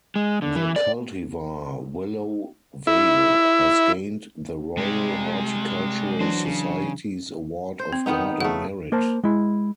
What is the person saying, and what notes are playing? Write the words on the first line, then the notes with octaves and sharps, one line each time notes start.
The cultivar 'Willow Vale' has gained the Royal Horticultural Society's Award of Garden Merit.
G#3
D3
E3
D5
E4
C3 G3 G#3
E3 F#3 D4 F#4 C5
C#3
C5
C4
D#3 B3 D#4
C#3 A3 F#5
A#3 A#4 C5 A5
G#3 E4